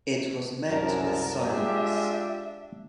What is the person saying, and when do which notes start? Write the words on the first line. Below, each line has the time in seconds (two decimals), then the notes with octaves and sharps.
It was met with silence.
0.68 C2 F#2 A#4 A5
1.44 G#3 D4 F4 G4 E5